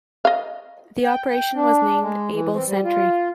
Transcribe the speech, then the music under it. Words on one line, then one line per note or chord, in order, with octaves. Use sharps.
The operation was named "Able Sentry".
D#5 F5
G5
G5
D4
G#3
E3
C4
G3
F4